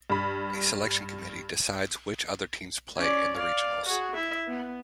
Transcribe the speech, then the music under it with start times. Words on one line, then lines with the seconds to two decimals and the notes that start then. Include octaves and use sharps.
A selection committee decides which other teams play in the regionals.
0.10 G2 B5
2.97 C#4 D5
3.36 D5 F5
3.86 F#4 G#4
4.15 E4 E5
4.48 B3